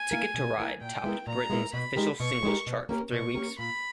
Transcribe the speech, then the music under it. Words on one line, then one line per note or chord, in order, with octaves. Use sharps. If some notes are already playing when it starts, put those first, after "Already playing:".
"Ticket to Ride" topped Britain's official singles chart for three weeks.
Already playing: G#5
A#3 E4 A#4
B2
A#3 E4 A#4
A#2 G5
G#3 B3 E4 A#4
A#2 A#5
G#3 B3 E4 A#4
B2 B5
G#3 D#4 G4 A#4
B2 C#6
G#3 D#4 G4 A#4
B2
A#3 C#4 G4 A#4
B2 C#6
A#3 C#4 G4 A#4
A#2 B5